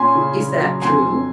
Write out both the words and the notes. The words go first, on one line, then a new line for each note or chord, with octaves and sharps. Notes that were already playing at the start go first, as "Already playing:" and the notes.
Is that true?
Already playing: A#2 C#4 G#5 C6
C#3
C#3
F#3
F2 G#5 C6
F2